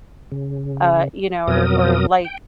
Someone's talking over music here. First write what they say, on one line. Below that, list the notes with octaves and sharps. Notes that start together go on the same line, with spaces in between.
uh, you know, or or, like,
C#3
F2 B2 F#3 A#4 D#6
G5